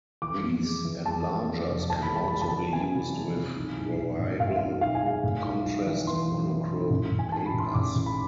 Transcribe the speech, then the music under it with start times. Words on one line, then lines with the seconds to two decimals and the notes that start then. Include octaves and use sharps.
These enlargers can also be used with variable-contrast monochrome papers.
0.22 E3 D6
0.42 F2
0.64 G#3
0.85 E3
1.05 G#3 A5
1.27 G#3
1.47 F2
1.68 F1
1.89 E3 A5
2.03 B5
2.10 G#3
2.16 A5
2.28 G#3 B5
2.41 A5
2.51 E3
2.72 E3 G#5
2.94 C3
3.15 G#3
3.36 C3
3.56 B1
3.78 B1
3.98 B1
4.19 A2
4.40 A2 F5
4.48 E5
4.56 B1 F5
4.81 B1 F5
4.95 G#5
5.03 G#3 F5
5.24 A2
5.44 B1
5.65 B1
5.86 E3
6.07 E3 C6
6.27 B1
6.49 E3
6.70 B1
6.90 A1
7.11 A1
7.19 G#5
7.32 G#2 A5
7.46 B5
7.53 A1
7.60 C6
7.74 A1 D6
7.95 A1
8.06 B5